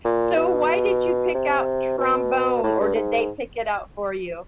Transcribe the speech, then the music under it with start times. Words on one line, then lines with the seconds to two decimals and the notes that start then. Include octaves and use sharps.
So why did you pick out trombone or did they pick it out for you?
0.04 A#2
0.37 B2
1.34 C3
1.98 B2
2.63 A2
2.80 G2
2.95 G#2